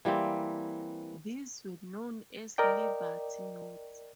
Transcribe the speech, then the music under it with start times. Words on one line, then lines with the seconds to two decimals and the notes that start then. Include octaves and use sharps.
These were known as "Liberty" notes.
0.05 E3 G3 A#3 C4
2.58 A#4 D5 D#5 G5